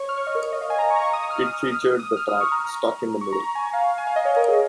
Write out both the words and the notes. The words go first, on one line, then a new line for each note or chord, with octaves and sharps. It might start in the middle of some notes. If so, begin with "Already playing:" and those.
It featured the track "Stuck in the Middle".
Already playing: C#5 C#6
F6
C#6
D#5
A#4
D#5
F5
G#5
A#5
C#6
A#5
C#6
D#6
F6
D#6
D#6
D#6
F6
D#6
C#6
A#5
A#5
C#6
A#5
A#5
G#5
F5
G#5
F5
D#5
C#5
A#4
G#4